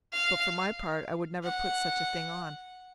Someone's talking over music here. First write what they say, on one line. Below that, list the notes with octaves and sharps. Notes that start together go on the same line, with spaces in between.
But, for my part, I would never put such a thing on.
F5
F#5